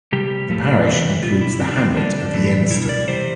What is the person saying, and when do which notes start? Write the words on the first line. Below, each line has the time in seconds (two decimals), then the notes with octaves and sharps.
The parish includes the hamlet of Yenston.
0.12 C3 G3 G4
0.49 A2 F3 A3
0.86 C3 E3 A3
1.23 B2 G3 F4
1.41 E4
1.59 D3 G3 C4
1.71 D4
1.79 C4
1.97 D3 G3 D4
2.34 A2 E3 A3
2.70 B2 G3 E4
2.89 D5
3.07 C3 E3 G3 C5